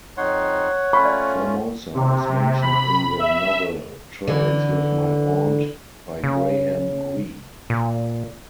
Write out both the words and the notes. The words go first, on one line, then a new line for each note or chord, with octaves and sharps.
Formosa is mentioned in the novel "Travels with My Aunt", by Graham Greene.
F2 D#4 C#5 F#5 C6
A3 C#4 F4 B5 C#6
D5
C3
B5
E5
D3 E3
C#3
A#2